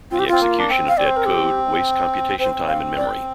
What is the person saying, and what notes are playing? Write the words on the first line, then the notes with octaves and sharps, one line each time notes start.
The execution of dead code wastes computation time and memory.
C4 F4
G4
C4 F4
A#3
D4
C4
F5
C4 D5
C5
A#4
G4
C4 C5
F5
D5